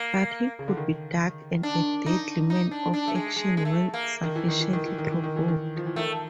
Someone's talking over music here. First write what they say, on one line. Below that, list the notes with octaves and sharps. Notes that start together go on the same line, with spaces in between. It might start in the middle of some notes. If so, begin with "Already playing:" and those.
But he could be dark and a deadly man of action when sufficiently provoked.
Already playing: A#3
C#3
D3
D#3
D4
D#4
D#4
D4
D4
A3
G#3
G#3
G#3
A3
A#3
D#3
E3
D#3
E3
D#3
E3
D#3
E3
D#3
E3
D#3
F3
E3
D#3 A3